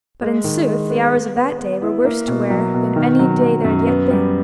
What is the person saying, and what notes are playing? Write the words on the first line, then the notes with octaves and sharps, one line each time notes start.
But in sooth the hours of that day were worse to wear than any day there had yet been.
G#3
D#3
G#3
B3
B3
B3
B3
E4
A#3
B2
F#3
B2
D#3
F#3
F#3
F#2
B3
G3